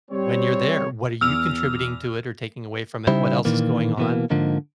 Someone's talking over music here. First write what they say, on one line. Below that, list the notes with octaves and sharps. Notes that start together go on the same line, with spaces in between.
when you're there, what are you contributing to it or taking away from it, what else is going on,
G3 C4 C#5
E2 E6 F6 F7
C#3 G3 D#4 E4 G4 C5
A#2 D#3 E3 A#3
B2 E3 A#3
G#2 D3 F3 A#3 D#4